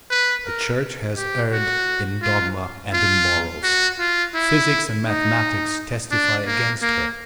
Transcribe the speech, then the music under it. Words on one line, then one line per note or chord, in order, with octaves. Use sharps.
The Church has erred in dogma and in morals; physics and mathematics testify against her.
B4
A#4
G4
F#4
F4
F4
F#4
F4
E4
D#4
D4
A#3
A#3